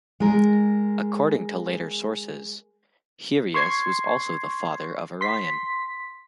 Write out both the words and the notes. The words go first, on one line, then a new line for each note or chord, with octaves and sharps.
According to later sources, Hyrieus was also the father of Orion.
G#3 A#4
C6 C#6 G#6 C7
C6 B6